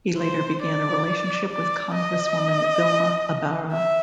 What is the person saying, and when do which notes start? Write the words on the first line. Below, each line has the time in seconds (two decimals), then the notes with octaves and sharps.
He later began a relationship with Congresswoman Vilma Ibarra.
0.18 C5
0.62 D5
1.51 D5
1.95 D#5
3.72 E5